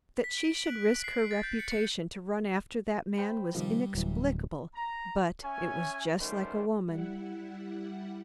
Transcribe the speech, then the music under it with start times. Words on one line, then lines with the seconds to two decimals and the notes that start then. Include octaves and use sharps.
That she should risk her reputation to run after that man was inexplicable, but it was just like a woman.
0.24 B6
0.38 D7
0.55 F#7
0.67 F#6
0.88 D7
1.04 C7
1.18 D7
1.31 A6
1.43 G6
1.59 C#7
1.70 C#7
3.18 C5 G5 B5
3.55 G2 C3 D#3 F3 G3
3.95 D1 E3 F#3
4.75 A#5
5.44 C#4 C#5 E5 G#5
6.21 D#3 F#3 G3 A3 C#4 C5
6.85 G3 E4 F#5